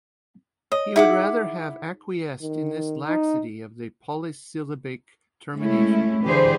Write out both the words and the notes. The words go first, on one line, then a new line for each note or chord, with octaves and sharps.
He would rather have acquiesced in this laxity of the polysyllabic termination.
C#5 D#5
D#4 E4 G#4 E5 F#5 D6
D#3
D#4
G#3 A3 C#4 E4
D3 E3 G4 G#4 B4 C5